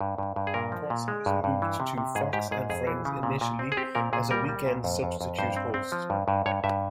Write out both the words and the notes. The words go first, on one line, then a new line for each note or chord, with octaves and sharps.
Carlson was moved to "Fox and Friends" initially as a weekend substitute host.
G2
G2
G2
G#4
A#2 A#4
F3
A#2
G#3
G2
G2
E3
C3
C3
G#2 G#4
G#2 G4
G#2 G#4
F2 G#4
E3
C#3
A#2
A#2
C4
G#4
C4 G4
A#2 A#4
A#2 G#4
G3 A#4
G3
A#2
F2
F2
F2
G2 C5
C4
C4
F3
G2
G2
G2 C#5
G2 E5